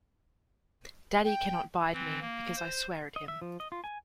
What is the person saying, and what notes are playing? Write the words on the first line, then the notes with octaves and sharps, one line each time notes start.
Daddy cannot bide me, because I swear at him.
G5
E3 C4
A#3
C5
D#5
E5
F3
D#5
F4
G#5